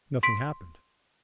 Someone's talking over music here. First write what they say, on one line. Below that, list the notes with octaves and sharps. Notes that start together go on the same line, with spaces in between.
Nothing happened.
C6 B6 D7